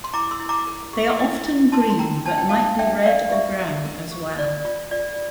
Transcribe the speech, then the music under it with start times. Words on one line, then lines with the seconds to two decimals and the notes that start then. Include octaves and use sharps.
They are often green, but might be red or brown, as well.
0.04 C6
0.13 E4 A#5 D6
0.31 C6 E6
0.40 E4
0.49 A#5 D6
0.67 A#4
0.93 G4
1.20 E4
1.46 E4
1.72 E4 A5 C6
1.90 C6
1.99 A#4 G5 A#5
2.26 D4 A5
2.37 G5
2.49 D4 F5 A5
2.79 D4 E5 G5
3.06 A#4 D5 F5
3.32 G4 E5
3.59 A#4
3.85 A#4
4.11 G4
4.38 F4 D5
4.65 F4
4.91 F4 D5